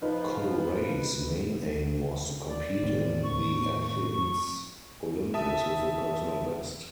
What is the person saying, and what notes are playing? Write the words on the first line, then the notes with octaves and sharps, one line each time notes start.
Cooray's main aim was to compete in the Athens Olympics with a personal best.
F3 D#4 B4
D5
A2 D#3 C4
C#6
C#6
E5 A5 D#6